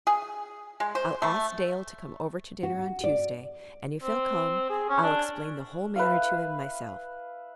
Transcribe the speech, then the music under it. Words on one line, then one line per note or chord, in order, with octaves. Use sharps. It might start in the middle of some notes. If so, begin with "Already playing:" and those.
I'll ask Dale to come over to dinner on Tuesday; and if he'll come, I'll explain the whole matter to him myself.
G#4
G#3
C5
A3
F#4
D5
C4
G#4
C#4
D4
B4 E5 F5